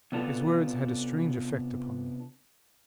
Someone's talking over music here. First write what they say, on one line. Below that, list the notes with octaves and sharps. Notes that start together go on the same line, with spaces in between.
His words had a strange effect upon me.
C3 B3 D4 F4 A4